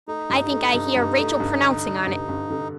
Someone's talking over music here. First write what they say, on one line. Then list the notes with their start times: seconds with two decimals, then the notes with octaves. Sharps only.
I think I hear Rachel pronouncing on it.
0.08 A3 D#4
0.30 G2
0.52 A3
0.74 G2
0.96 G2
1.18 A3
1.40 G2
1.62 D3
1.84 A3
2.07 G2
2.29 G2
2.50 D3